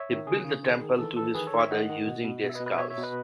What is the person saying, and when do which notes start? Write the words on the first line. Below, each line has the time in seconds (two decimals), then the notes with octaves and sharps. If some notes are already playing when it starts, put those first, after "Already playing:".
He built a temple to his father using their skulls.
Already playing: C#5 E5
0.09 D#3
0.27 C#3 G#4
0.44 C#3
0.63 D#3
0.80 D#3
0.98 E3 A4
1.17 E3 A4
1.34 D#3 G#4 B4
1.47 A4 C#5
1.53 D#3
1.59 C#5 E5
1.71 D#3 D#5 F#5
1.89 D#3
2.07 B2
2.25 B2
2.43 B2
2.49 E5
2.54 B4 D#5
2.60 B2
2.66 B4 D#5
2.78 B2 C#5 E5
2.90 C#5 E5
2.97 B2
3.03 B4 D#5